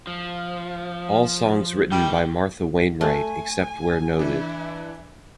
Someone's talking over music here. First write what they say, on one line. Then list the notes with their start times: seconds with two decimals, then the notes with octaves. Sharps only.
All songs written by Martha Wainwright except where noted.
0.07 F3
1.92 D#3 G3 G5
3.01 A3 G#5
4.19 E3 D4 E4